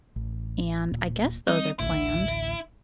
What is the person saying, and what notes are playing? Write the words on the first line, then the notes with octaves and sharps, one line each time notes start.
And I guess those are planned,
A1
D1 A#2
G3 C4 D#4
A1 D2 A2 E4